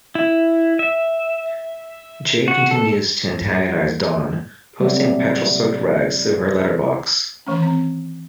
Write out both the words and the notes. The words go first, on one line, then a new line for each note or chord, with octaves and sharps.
Jay continues to antagonise Dawn, posting petrol soaked rags through her letter box.
E4
E5
F#4
A4
G2
C3 F#3 G3 A3
D#3 E3 A3 C#4
C4